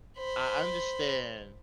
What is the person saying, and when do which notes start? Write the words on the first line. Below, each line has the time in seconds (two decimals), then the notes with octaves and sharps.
I understand
0.18 C5 B5